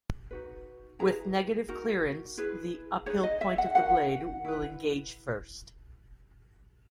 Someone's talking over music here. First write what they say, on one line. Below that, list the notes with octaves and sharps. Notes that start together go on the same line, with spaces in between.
With negative clearance the uphill point of the blade will engage first.
D#4 F#4 B4
E4 G#4 B4 A#5
D#4 F#4 A#4
E4 G#4 B4
D#4 G#4 B4 C#5
D#5
E5
F#5
D#4 F#4 A#4 F#5
E4 B4